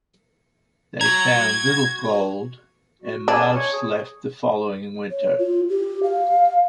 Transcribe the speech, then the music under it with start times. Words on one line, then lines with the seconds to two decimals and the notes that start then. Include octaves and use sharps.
They found little gold, and most left the following winter.
1.01 F#4 A#5 G#6
3.02 F#4
3.28 D4 G#5
3.55 C#5
3.73 G#4
5.11 C#5
5.39 F4
5.69 G4
6.03 F5